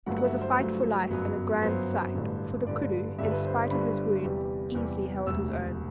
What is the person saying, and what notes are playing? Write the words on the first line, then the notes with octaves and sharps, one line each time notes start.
It was a fight for life and a grand sight; for the koodoo, in spite of his wound, easily held his own.
G1 G2 F#3 A3 F#5
F#5
E5
C5
G1 G2 F#3 A3
G1 F#2 F#3 B3 B4
G1 F#2 F#3 B3 C5
A1 G2 D3
A1 G2 D3 D5
G1 G2 D3 G3 E5
B4
C5
D5
G1 G2 D3 G3 B5
E2 C3 G3
E2 C3 G3
E1 D2 C3 E6